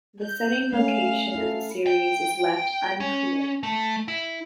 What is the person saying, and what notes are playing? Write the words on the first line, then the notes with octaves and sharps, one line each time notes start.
The setting location of the series is left unclear.
G6
A3 C#4 F5
E4 A4
G5
C#4
A3
E4